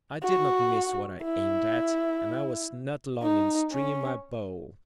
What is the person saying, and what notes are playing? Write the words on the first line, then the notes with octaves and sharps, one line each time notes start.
I did not miss what I aimed at, and I was not long in stringing my bow.
F#4
E4
D#4
C#4